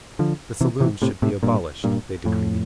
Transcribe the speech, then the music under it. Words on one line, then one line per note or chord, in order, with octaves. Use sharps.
The saloons should be abolished, they decreed.
D3 F3
C3 E3
C3 E3
A2 C3
A2 C3
G2 A#2
G2 A#2
F2 A2